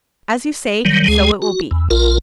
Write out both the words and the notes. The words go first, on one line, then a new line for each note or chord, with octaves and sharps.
As you say, so it will be.
D#3 F#3 G3
D2 G#3 G#4
F#4
E2
A#1 F4 A#4